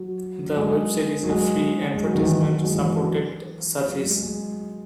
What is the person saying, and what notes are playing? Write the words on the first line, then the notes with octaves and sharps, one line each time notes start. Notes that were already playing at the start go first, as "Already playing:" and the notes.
The website is a free, advertisement-supported service.
Already playing: F#3
F#3
G#3
F#3
G#3
G#3
F#3
D#3
E3
F#3
F#3
G#3
E3
F#3
F#3
F#3
G#3
G#3